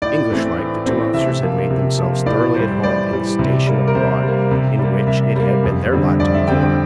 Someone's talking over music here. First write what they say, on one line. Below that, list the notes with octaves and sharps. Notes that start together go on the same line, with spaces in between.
English-like, the two officers had made themselves thoroughly at home in the station abroad in which it had been their lot to be quartered.
A2 D5
E3 A3 C4
A2
E3 A3 C4
C3 E5
F3 A#3
C3
F3 A#3
A2 D5
E3 G3 C5
A2 D5
E3 G3
C3
G3 A#3
A#4
C3 C5
G3 A#3
C3
G3 A#3
C3 E5
G3 A#3
F2
D3 G3 C4
F2 D5
E5
D3 G3 C4 G5
G5